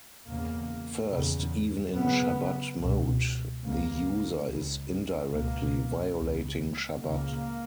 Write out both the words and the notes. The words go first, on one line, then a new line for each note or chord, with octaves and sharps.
First, even in Shabbat mode, the user is indirectly violating Shabbat.
E2 C#3 A#3
E2 C#3
F#2 C#3 B3
C#2 B2
C#2 C#3 A#3
C#2 C#3
C#2 B2 A#3
C#2
C#3
C#2 C#3 A#3